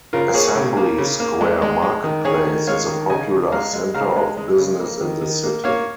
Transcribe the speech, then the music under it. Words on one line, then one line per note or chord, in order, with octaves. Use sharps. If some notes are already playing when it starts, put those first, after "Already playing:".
Assembly Square Marketplace is a popular center of business in the city.
C#3 F4 A#4
A#3 G#4 C#5
C#3
A#3
C#3
A#3
G#3
G#3
G#3
D#3
D#3 G#4 C#5
D#3
G#3 C#5 F5
D#3
C#3 D#5 G#5
C#3
G#3 F5 A#5
G#3
C#3 F5 A#5
G#3
G#3
C#3
A#3
D#3
D#3
A#3
A#3 C#5 F5